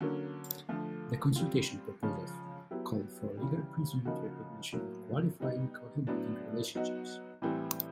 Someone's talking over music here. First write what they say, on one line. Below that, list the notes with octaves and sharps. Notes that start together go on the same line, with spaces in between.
The consultation proposals called for legal 'presumed' recognition of "qualifying" cohabiting relationships.
D3 F#3 A#3 C#4
D3 F3 A3
G3 C4 F4
C#3 F3 G#3 C#4
F#3 B3 E4 G4
C#3 E3 G3
C#3 F3 A#3 D#4 F#4
A2 F#3 A#3
G3 B3 D#4
A2 F#3 B3 D4
F#3 B3 D#4 F#4
A2 E3 G3 C4